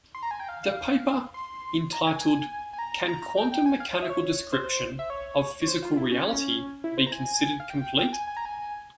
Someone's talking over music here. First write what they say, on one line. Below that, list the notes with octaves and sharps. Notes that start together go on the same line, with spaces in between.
The paper, entitled Can quantum-mechanical description of physical reality be considered complete?
C6
A#5
G#5
G5
F5
F5
C6
A#5
G#5
G#5
G#5
A#5
A#5
A#5
G5
G5
G#5
F5
C#5
E5
C#5
C5
E5
C#5
C#5
C5
F4
E4
C#4
C#4
E4
C5
A#5
G#5
F5
G5
G5
G#5
G#5
A#5
G#5